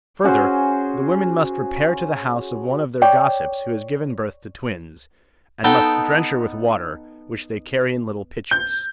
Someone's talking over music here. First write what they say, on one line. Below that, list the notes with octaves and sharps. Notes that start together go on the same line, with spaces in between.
Further, the women must repair to the house of one of their gossips who has given birth to twins, and must drench her with water, which they carry in little pitchers.
C#4 F#4 G#4 C5
C#5 D5 G5
B3 D#4 A4 G5 A5
G6